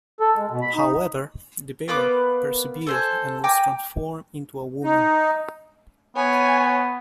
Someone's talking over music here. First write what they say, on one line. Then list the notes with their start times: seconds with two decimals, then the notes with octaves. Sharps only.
However, the bear persevered and was transformed into a woman.
0.20 A4
0.36 G#3
0.49 B2
0.62 B5
0.75 D#4
1.88 A#3 B3 B4 D6
2.87 A4 C5 G#5
3.44 G5 G#5 A#5 D6
4.84 D#4
6.16 B3 C#5 G#5